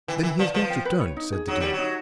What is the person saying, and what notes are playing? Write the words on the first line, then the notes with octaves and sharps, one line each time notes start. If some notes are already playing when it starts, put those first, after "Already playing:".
"Then he has not returned?" said the duke.
E3 G5
E3 B4
F3 D5
F3 B4
G5
B4
C#5
D#4
G#4
F#3 D#4
G3 C#5
F#3
D#4